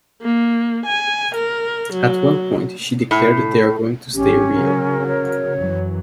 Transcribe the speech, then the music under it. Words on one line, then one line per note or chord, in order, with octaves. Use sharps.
At one point she declared they are going to stay real...
A#3
G#5
A#4
F#3
A2
G#1 C#4 G4
C#3 F#3 A#4
C#5
F#2 E3 F#3